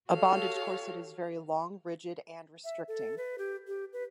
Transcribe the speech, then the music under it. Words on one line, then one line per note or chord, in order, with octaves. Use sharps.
A bondage corset is very long, rigid, and restricting.
F#4 G4 A4 C#5 F5
E5
A4
B4
G4
G4
B4